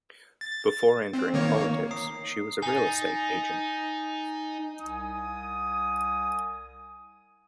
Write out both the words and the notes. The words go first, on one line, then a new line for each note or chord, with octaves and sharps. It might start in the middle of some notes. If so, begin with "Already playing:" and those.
Before entering politics, she was a real estate agent.
A6
C4
D#3 A#3 C#5
A#5 D#6 C7
D#4 G#5 A6
C2 G#5 D#6